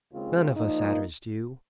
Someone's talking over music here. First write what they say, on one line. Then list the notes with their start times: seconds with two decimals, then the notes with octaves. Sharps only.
None of us Adders do.
0.11 D#2 C#3 G#3 C4 F4
0.55 A#2 F3 A#3 D#4